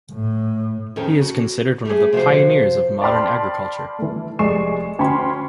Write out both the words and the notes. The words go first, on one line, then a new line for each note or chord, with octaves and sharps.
He is considered one of the pioneers of modern agriculture.
A2
F2 D#3 C#4 A4 G5
F#4
G3 A3 G#4
C3 F3 F#4 C5
D5 G5 A5 B5 C6 F6
E3 A3
F1 G#3 D5 C#6 C7 E7
D2 C#4 G5 B5 C6